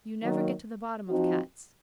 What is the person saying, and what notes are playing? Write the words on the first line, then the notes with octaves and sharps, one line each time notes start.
You never get to the bottom of Cats.
D#3 F#3 A#3
F3 C4 D#4 F#4